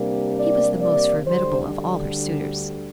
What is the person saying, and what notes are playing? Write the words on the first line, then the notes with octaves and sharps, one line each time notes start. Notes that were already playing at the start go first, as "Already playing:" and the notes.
He was the most formidable of all her suitors.
Already playing: C3 G3 A#3 D4
D5
D5
D2 D3 G3 C5